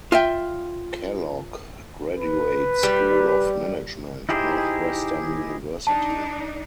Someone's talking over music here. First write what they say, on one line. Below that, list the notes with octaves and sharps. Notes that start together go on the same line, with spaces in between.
Kellogg Graduate School of Management, Northwestern University.
F4 E5 G5
B4
G3
D#4 E4 G4 G#4 C5
D4 D#4 A5